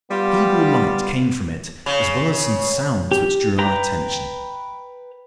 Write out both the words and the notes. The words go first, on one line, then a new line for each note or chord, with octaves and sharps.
A feeble light came from it as well as some sounds which drew our attention.
G3 B3 F4 G4 F5
C#3
G4
B4 G5 A#5